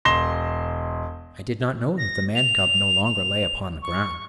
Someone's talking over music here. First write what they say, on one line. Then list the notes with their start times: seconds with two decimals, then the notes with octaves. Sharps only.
I did not know that the Man-cub no longer lay upon the ground.
0.05 E1 C6 A#6 E7 G7
1.98 A#6
2.35 F7
3.04 F7
3.82 C#6